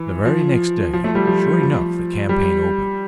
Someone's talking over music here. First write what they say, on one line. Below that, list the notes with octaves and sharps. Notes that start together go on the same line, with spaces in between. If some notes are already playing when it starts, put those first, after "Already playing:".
The very next day, sure enough, the campaign opened.
Already playing: E3
F3
F3
A3
G3
F3
F3
G3